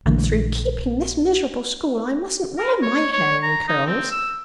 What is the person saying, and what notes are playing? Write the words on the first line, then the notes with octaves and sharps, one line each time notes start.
And through keeping this miserable school I mustn't wear my hair in curls!
A#1 D3 E3 G#3
A#4
C#5
C#5
A#5
D#4
C4
E6